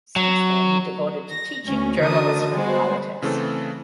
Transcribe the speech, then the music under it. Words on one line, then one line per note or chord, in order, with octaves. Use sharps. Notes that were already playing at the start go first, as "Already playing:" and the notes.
Since then he devoted to teaching, journalism and politics.
F#3
A#6
D2 C#4
D3 F#4 A#4 A5 D#6
G3 G#3 B3 F#4 C5
C#3 E3 A3 C4 A4